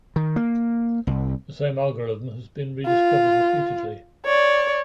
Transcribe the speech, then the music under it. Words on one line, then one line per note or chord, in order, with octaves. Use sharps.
The same algorithm has been rediscovered repeatedly.
D#3
A#3
C2
F4
C#5 D5